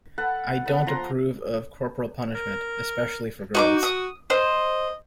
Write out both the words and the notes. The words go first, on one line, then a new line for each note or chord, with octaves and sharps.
I don't approve of corporal punishment, especially for girls.
A4 B4 F#5
B3 A4 B4
F3 A#5 C6
A#4
D#4 F#4 C#6 D6
D#6
C5 D#5